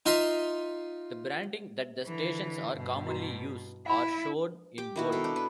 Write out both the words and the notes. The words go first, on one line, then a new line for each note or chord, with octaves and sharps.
The branding that the stations are commonly use are shown in bold.
D#4 F4 D#5 E5 C6
D3 E3
G2 B2
E4 F#4 A#5
E4 F5 B5
G4 D6
D#3 E4 F#4
B2 A4
D4
B4